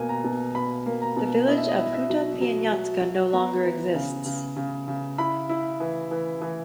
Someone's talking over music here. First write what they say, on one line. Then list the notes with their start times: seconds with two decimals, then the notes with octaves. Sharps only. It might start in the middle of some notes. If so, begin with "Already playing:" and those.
The village of Huta Pieniacka no longer exists.
Already playing: B2 A#3 G#5
0.09 A#5
0.24 B2
0.55 B2 B5
0.86 A#3
1.02 A#5
1.17 B2
1.47 E4 D#5
1.58 E5
1.68 D#5
1.79 E4
1.94 E5
2.09 F#3
2.41 F#3
2.72 F#3
3.02 F#3
3.33 B3 A#5
3.64 E3
3.94 C#3
4.26 C#3
4.56 C#3
4.88 C#3
5.18 E4 B5
5.49 E4
5.80 E3
6.11 E3
6.42 E3